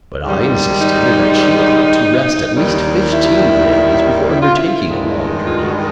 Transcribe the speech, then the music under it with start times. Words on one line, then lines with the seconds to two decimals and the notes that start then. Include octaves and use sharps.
But I insisted that she ought to rest at least fifteen days before undertaking a long journey.
0.23 G#2 D#3 G3
0.81 D#4
2.54 D#2 D#3 G3
3.12 E4
4.28 E4
4.41 F4
4.55 E4
4.86 G2 D#3 G#3
5.44 F4
5.63 F#4